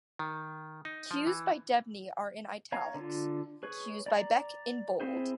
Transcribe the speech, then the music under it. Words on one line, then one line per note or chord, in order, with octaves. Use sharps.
Cues by Debney are in italics, cues by Beck in bold.
D#3
D#4
F3
E3
C#5 F5 A#5
D3 F4
G#4 B4 C#5
D5 A#5
C4 E4 G#4 C5